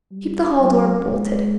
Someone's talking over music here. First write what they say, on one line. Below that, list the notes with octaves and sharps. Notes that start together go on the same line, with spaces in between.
'Keep the hall-door bolted.
G3
F#3
G#3